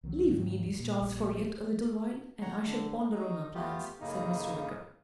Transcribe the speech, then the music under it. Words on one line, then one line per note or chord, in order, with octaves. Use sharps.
"Leave me these charts for yet a little while, and I shall ponder on our plans," said Mr. Wicker.
C2 D#3 F3 F#3
D#2 G#2
A#2
A#1 G3
C#5 F#5 A#5
D3
D#4
A3 B3 F4 G4
F#2 A2 C#3 A#3 D#4